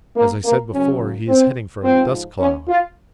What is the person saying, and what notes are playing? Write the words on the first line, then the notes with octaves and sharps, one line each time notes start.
As I said before, he is heading for a dust-cloud.
A#3
A#3
F#2 C#3 F#3 C#4
C4
G#2 F3 C4
C#4
F4